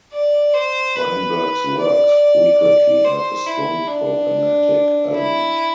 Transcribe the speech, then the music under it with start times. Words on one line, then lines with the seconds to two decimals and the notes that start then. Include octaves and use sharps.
Weinberg's works frequently have a strong programmatic element.
0.12 D5
0.54 C5
0.95 B4
1.79 D5
2.63 D5
3.04 C5
3.46 E4
3.87 D4
5.13 E4